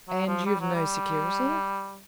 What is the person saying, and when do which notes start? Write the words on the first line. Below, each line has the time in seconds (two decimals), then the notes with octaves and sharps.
"And you've no security?"
0.08 F#3
0.27 F3
0.46 G3
0.61 F#3
0.75 G3